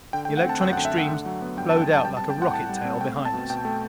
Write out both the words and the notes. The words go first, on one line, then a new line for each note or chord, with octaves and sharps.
The electronic streams flowed out like a rocket tail behind us.
D3 G5
G5
A3
F#5
C4 A5
F#2 G5
F#5
D3
E5
A3
F#5
D3
F#3
B3
G2 G5
A5
D3
G5
F#3 A5
G3 G5
A5
C4
G5
A2 F#5
A2 A5
G3
C4
A3 G5
C4
A5
B2
B2 G5
A3